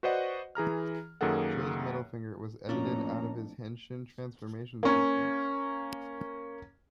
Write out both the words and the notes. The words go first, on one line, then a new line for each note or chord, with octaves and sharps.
Joe's middle finger was edited out in his henshin transformation sequence.
F#4 B4 C5 D5 D#5 F#5
E3 G#4 A#5 F6
F#2 D#3 A#3 G#4 A4 F#5
F2 A2 F3 A#3 C#4 D4 A4 A#5
A#3 C#4